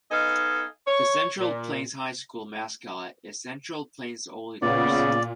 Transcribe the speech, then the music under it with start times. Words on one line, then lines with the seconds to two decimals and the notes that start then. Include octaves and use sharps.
The Central Plains High School mascot is Central Plains Oilers.
0.11 B3 D#4 A4 D#5 F5 G#5
0.87 C#5
1.39 A#2
4.62 A#2 C#3 B3 D5